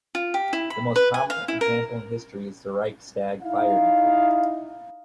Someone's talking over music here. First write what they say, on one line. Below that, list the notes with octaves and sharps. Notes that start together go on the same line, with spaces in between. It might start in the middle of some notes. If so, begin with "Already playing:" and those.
The most prominent example in history is the Reichstag Fire Decree.
F4
G4
E4
B5
B4
G#5
F5
E4
A#4
D#4 E4 F5